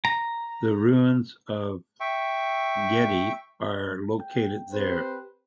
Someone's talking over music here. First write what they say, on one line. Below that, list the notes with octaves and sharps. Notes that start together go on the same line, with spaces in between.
The Ruins of Gedi are located there.
A#5
E5 G5 C#6
C4 G4 B4 C5